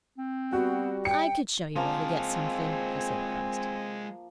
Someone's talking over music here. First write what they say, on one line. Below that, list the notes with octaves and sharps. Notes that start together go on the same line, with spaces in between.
"I could show you where to get something," he said at last.
C4
G3 B3 F#4
G5 C#7
F3 G#3 A#3 C4 F5 G#5